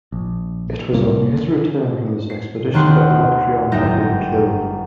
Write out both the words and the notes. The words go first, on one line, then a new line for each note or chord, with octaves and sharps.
It was on his return from this expedition that Electryon had been killed.
A#1
C2 A#3
C7
D#2 D#3 A3 F#5 C6 C7
G1 F#2 D#4 E5 G5 A#6